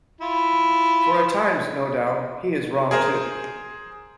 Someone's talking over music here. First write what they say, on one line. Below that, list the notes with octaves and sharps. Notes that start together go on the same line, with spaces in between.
For at times, no doubt, he is wrong too.
E4 F4
G#4 A#4 C5